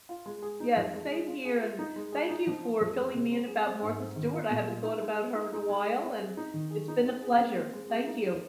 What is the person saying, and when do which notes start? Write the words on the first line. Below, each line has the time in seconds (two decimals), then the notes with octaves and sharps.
Yes, same here, and thank you for filling me in about Martha Stewart. I haven't thought about her in a while, and it's been a pleasure. Thank you.
0.09 F4
0.26 G#3
0.42 G#4
0.60 D#4
0.76 F2
0.93 G#3
1.11 G#4
1.28 F4
1.45 G#4
1.62 F4
1.79 D#4
1.96 G#3
2.12 G#4
2.29 D#4
2.47 F3
2.63 F4
2.80 F2
2.97 G#3
3.15 C3
3.31 C4
3.48 G#4
3.65 C4
3.83 G#2
3.99 C4
4.16 D#3
4.33 F4
4.50 A#2
4.68 F4
4.84 D#4
5.01 G#3
5.18 G#4
5.35 D#4
5.53 D#4
5.69 G#3
5.86 G#4
6.03 C4
6.20 G#4
6.37 D#4
6.54 D#3
6.70 G#4
6.88 D#4
7.05 C4
7.22 G#4
7.39 A#3
7.56 C4
7.73 G#3
7.90 G#4
8.07 D#4